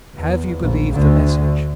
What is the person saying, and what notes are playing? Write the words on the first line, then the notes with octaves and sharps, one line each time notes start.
Have you believed the message?
E2
A#1
D2 D3